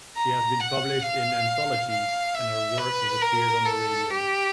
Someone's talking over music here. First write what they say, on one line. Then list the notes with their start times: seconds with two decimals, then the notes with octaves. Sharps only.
She has been published in anthologies and her work has appeared on the radio.
0.16 A#5
0.60 F#5
1.03 F5
1.91 F5
2.34 E5
2.78 B4
3.21 A#4
3.66 A4
4.10 G4